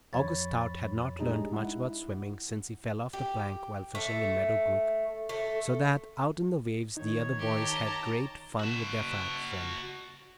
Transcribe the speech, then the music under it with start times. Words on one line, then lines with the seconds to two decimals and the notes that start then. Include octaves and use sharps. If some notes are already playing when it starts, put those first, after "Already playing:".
August Stout had not learned much about swimming since he fell off the plank while fishing in Meadow Brook, so that out in the waves the other boys had great fun with their fat friend.
0.13 F2 F3 C#5 B5 A6
1.19 G#3 A3 D4 D#4 G4 G#4
1.52 E4 F#5
3.13 G4
3.95 A3
5.29 A3
6.97 D#3 D#4 C#5 G#6
7.39 G4 A5 A#5
8.59 F#4 A5